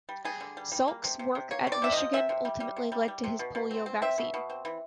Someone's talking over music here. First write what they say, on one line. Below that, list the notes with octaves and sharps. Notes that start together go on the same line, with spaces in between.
Salk's work at Michigan ultimately led to his polio vaccine.
G3
G3 G#4
D3
G3
G3
A#3
C3
C3
C3
A#3 C#5
C3
D5
C3 E5
F3 D#5
C3 E5
C3
G3
G3
C3
G3
G3
C3
B2
B2
C4
C4
C4 E5
B2
B2
C4
E3